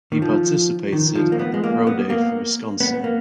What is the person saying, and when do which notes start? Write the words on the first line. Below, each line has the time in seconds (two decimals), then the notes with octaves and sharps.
He participated at the pro day for Wisconsin.
0.12 D#3
0.22 F3
0.93 D#3
1.16 F3
1.32 A#3
1.39 B3
1.54 G#3
1.64 A#3
1.87 B3
2.10 A#3
2.80 B3
3.04 A#3